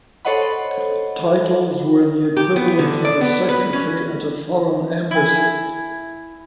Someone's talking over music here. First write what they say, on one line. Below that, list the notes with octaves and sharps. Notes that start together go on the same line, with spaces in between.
The titles were the equivalent of a secretary at a foreign embassy.
A4 C5 C#5 D#5 F#5 B5
G4
B3
D3
D5
B3
B4
C#4
E4 G#5